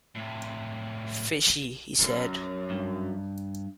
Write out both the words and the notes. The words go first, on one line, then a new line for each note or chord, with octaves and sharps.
"Fishy," he said.
A2 C3
F#2 A#4
G2